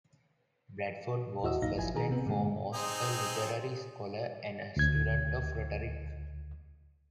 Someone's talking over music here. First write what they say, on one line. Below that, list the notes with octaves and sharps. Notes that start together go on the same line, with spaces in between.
Bradford was first and foremost a literary scholar and a student of rhetoric.
D#2 E4 F#4 D#5 E6
B1 F#2 A#2 D#4 F5 A#6
G1 F3 E4 G#5
A#2 D#3 G#4 A#5
C3 B3
G2 A#2 D3 G#3
C4 D#4 G#4
D2 G#6